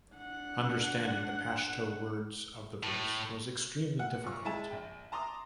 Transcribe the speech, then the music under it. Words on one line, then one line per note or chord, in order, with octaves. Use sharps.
Understanding the Pashto words of the verse was extremely difficult.
D4 F#5
A2
F#5
A#2 C#6
G#3 E4 G#4 A5 E7
A#1 G5
A5 A#5 C6 D6 D#6